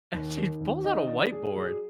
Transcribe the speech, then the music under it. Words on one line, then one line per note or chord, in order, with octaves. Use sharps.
and she pulls out a whiteboard
D#2
D#3
D#2
D#3 D#5
D4 D5
D4 G#4
F#3 G#4